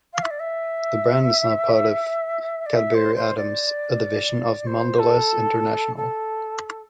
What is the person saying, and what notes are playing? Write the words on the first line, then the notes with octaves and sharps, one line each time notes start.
The brand is now part of Cadbury Adams, a division of Mondelez International.
F5
E5
D5
E5
D5
E5
C5
C5
D5
C5
A4
A4